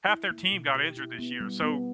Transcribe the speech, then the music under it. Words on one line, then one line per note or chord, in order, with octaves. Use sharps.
half their team got injured this year, so
E4
A#3
B2
G4
E4
B3
G3
B3